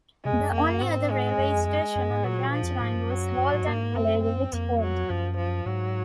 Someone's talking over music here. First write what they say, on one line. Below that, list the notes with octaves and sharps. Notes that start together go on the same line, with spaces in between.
The only other railway station on the branch line was Halton Holegate Halt.
C3 G#3
F2
F#2
F2 A#3
F#2
G#2 C4
G#3
F#2
F2
F#2 G#3
F#2
G#2
A#2 F#3
F3
F2
F#2
G#2
F#2
F#3
F#2
G#2
F#2
G#2 A#3
F#2 C4
C4
F2 A#3
F#3
F#2 F3
F3
G#2 F#3